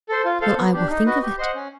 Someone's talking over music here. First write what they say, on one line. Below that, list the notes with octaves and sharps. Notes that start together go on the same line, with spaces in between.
"Well, I will think of it."
A4 C5
F4
A4 C5 F5
B3
D4 G4
D#4
F#4 B4 D#5
G4
C5 D#5 F#5
C#4